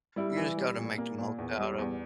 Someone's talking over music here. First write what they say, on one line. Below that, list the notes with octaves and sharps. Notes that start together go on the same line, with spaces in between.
you just gotta make the most out of
G3 E4
E3
G3
A#2
A#3
A#2
E2
G3
E2